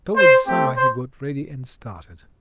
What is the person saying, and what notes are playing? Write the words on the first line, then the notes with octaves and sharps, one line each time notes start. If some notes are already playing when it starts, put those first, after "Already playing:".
Towards summer he got ready and started.
C5
A3 C4 G4
C5